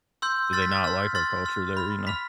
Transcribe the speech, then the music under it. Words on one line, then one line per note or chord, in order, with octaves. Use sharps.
do they not like our culture there, you know?
C6 E6 G6
C6 F6 A6
B6
A6
C6 F6
C6 F6 A6
C6 F6
B5 F6
B5 F6 B6